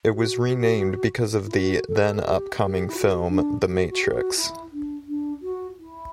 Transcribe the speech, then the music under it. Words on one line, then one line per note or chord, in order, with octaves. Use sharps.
It was renamed because of the then-upcoming film, "The Matrix".
F#4
E4
F#4
A4
G4
G4
E4
F#4
D4
F#4
F#4
G4
F#4
E4
D4
D4
F#4
E4